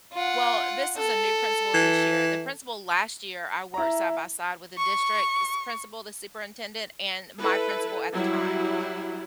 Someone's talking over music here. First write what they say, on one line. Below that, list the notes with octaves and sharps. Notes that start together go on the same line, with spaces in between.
Well, this is a new principal this year. The principal last year, I worked side by side with the district s principal, the superintendent, and my principal at the time,
F4 F#5
A4
E3
E4 A#5
C#6
E4 A4 B4
F#3 G3 E4